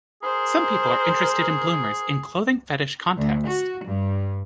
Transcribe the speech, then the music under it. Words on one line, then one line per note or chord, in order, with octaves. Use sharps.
Some people are interested in bloomers in clothing fetish context.
G#4 A#4 C5
D2
F#4
G2